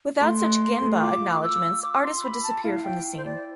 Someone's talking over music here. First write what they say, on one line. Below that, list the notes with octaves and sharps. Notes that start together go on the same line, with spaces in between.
Without such "genba" acknowledgments, artists would disappear from the scene.
A3 C6
A3
A3
F4 D6
D6
E6
D6
C6
B5
A5
E4 F5
G5
C5
D5